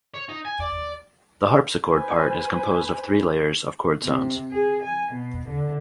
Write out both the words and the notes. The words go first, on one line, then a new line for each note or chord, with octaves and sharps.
The harpsichord part is composed of three layers of chord sounds.
C#5
D#4
G#5
D5
B4 C5 G#5
C3
G#4
G#5
B2
D3